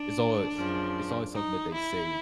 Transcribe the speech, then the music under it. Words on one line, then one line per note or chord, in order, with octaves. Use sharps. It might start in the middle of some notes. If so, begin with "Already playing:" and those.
it's always it's always something that they say,
Already playing: D4
F#2 C#3 F3
D#4
E4